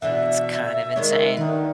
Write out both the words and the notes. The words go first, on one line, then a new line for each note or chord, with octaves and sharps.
It's kind of insane.
B2 D3 E3 E5
D#3 G#3 C#5
D3 D#3 B4